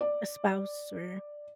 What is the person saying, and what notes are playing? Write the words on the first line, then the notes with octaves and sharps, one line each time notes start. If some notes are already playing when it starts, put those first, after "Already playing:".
a spouse or
D5